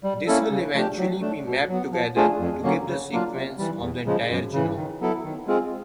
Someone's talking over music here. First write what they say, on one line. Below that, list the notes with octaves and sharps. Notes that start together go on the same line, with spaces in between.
This will eventually be mapped together to give the sequence of the entire genome.
G3
A#3 C#4 E4 A4
C#3
F3 A3 D4 G4
F#3
A3 D4
B2
F#3 B3
F3
A3 D4 F4 G#4
F2
D3 F#3 A#3 C#4
C#3
F#3 A#3 D4 F4
C3
E3 G3
E2
C#3 F3 G#3
F#2
C#3 E3
D#3
F#3 B3 E4 A4
D#3
G#3 C4 F4 G#4